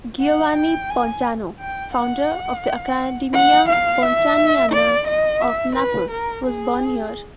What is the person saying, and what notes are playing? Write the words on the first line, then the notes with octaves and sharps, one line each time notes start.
Giovanni Pontano, founder of the Accademia Pontaniana of Naples, was born here.
F#5
G5
G#5
G5
F#5
F#5
F5
E5
D5
D#5
E5
B4
A#4
G#4